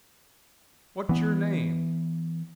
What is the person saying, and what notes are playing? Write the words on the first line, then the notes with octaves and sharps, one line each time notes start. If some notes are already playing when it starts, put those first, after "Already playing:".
"What's your name?"
E3 B3